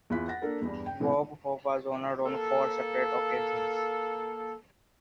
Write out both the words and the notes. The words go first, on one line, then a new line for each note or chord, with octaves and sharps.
Bob Hope was honored on four separate occasions.
E2 E4 F4 F#6 B6
F#5 A6 A#6
A#3 D4 A4 A#4
E2 G2
G5
A2 C3 E3
A#3 A4